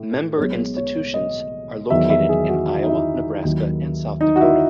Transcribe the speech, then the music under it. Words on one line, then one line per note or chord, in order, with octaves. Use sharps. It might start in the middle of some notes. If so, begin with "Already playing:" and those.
Member institutions are located in Iowa, Nebraska and South Dakota.
Already playing: A2
B1 B2 G#3 C#5
C#5
D#5
E2 D#3 F#3 E5
E5
G#4
F#4
F#4
E4
D#4
E4
D#2 D#3 F#3
D#4
F#4
E4